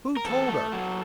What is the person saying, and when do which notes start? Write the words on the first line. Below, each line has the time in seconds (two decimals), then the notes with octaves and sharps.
"Who told her?"
0.17 A#4
0.25 E2 A4
0.48 A3
0.72 F#3